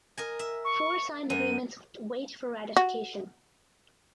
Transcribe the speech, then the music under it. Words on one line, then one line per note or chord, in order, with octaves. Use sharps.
Four signed agreements wait for ratification.
A#4 D#5 G#5
E5
C#6
F#2 D#7
F#4